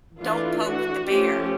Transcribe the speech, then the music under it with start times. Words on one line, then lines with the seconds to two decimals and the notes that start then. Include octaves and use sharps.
don't poke the bear
0.21 E3 A3 D4 F4
0.65 F#4
1.08 F3 A3 C#4 G4